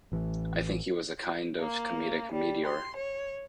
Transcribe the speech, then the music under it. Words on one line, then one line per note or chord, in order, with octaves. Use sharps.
I think he was a kind of comedic meteor.
A1 E3
A#3
G3
C6
C#5